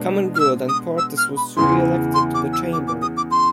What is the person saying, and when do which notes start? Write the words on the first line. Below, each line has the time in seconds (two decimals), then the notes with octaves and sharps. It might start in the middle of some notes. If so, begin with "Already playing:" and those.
Common Good and Portas was re-elected to the Chamber.
Already playing: B2 G#3 B3 D4
0.36 F6
0.40 E6
0.69 D#6
0.98 E6
1.17 F6
1.37 B5
1.56 E2 C#3 E3 C6
2.14 C6
2.34 D6
2.53 E6
2.73 D6
2.88 D6
3.02 D#6
3.17 D6
3.31 C6